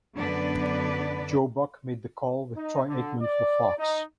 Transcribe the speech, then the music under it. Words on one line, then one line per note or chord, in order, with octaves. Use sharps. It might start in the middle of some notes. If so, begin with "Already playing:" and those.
Joe Buck made the call with Troy Aikman for Fox.
F#2 D3 B3 D4 B4 D5
D#4
D3
D5
D#4